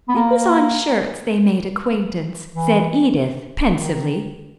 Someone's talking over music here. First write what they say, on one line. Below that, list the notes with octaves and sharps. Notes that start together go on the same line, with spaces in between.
"It was on shirts they made acquaintance," said Edith pensively.
B3
A#3
E3
D#3